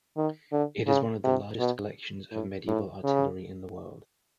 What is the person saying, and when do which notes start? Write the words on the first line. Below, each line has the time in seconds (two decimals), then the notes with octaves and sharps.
It is one of the largest collections of medieval artillery in the world.
0.17 D#3
0.52 D3
0.87 C#3
1.24 C3
1.59 B2
2.31 A2
2.68 A2
3.04 C#3